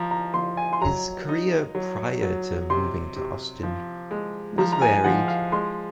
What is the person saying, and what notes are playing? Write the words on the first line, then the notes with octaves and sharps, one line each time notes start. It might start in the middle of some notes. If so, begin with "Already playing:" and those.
His career prior to moving to Austin was varied.
Already playing: F3 A#5
A#5
F3 C6
G#5
C6
F#3 A#5
D#4
F#3
F#3
C3 C6
C3
F3
G#3
F3 A#5
A#5
G#5
F3 F#5
F5
G#3 C6